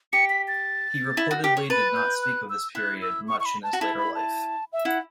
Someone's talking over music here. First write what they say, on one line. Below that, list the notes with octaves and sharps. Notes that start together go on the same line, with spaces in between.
He reportedly did not speak of this period much in his later life.
G4 C#7
B6
A6
E4
F#4
G4
C#5
B4 A6
G6
F#6
E6
E4 F#6
E6
C#6
C#6
B5
A5
F#4
E4 A5
B5
A5
E5
E4 F#5